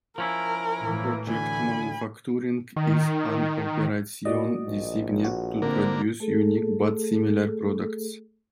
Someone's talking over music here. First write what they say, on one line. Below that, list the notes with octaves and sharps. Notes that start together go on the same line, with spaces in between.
Project Manufacturing is an operation designed to produce unique but similar products.
F3 C#4 E4 A#4
A2 E3
D2 G#5 B5
D#3
A#2 F#4 D5 D#5
A#1
F#4
D3 A#3 C4 A#4
A3 G#4 A4